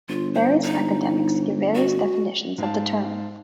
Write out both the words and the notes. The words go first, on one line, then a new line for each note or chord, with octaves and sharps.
Various academics give various definitions of the term.
G1 F4
C5
D#4
F#4
G#2 F5 A5